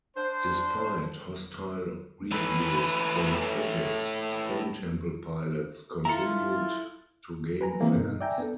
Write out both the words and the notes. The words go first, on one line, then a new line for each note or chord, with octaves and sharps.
Despite hostile reviews from critics, Stone Temple Pilots continued to gain fans.
D4 C5
A2 B4
E4 F4 A4 A#5 C#7
B4 G#5 A#5
D3 E3 G#3 A#3 C4
G2 B2 D#4
D5 E5 G5 G#5 A#5
B3 D4 A4